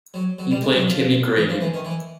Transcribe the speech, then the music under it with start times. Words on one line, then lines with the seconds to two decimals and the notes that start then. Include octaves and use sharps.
He played Timmy Grady.
0.14 F#3
0.39 F#3
0.51 G3
0.63 G#3
0.76 F#3
0.88 F3
1.36 E3
1.49 F3
1.61 E3
1.74 D#3
1.85 E3